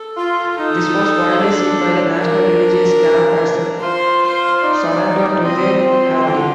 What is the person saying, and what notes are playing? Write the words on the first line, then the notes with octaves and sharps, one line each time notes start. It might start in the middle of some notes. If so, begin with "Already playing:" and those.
This was widely seen by the National Religious camp as surrender to the Haredim.
Already playing: A4
F4
D#4 A4
D4
D4 A#4
F4 C5
C5
D#4 D5
C4 D#5
F4
D3